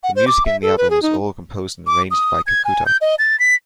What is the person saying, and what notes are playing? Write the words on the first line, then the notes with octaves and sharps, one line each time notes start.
The music in the album was all composed and arranged by Kikuta.
F#5
C5
D6
E5
A4
B4
G#4
D#4
D6
D#6
G#6
G#5
G6
D#5
A6
B6